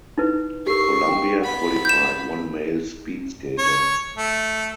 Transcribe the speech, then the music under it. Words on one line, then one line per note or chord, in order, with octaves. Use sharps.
Colombia qualified one male speed skater.
D#4 E4 B4
G4 A#4 C#6 C7
G5
B3 F#5 B5
G6 E7
C#5
A3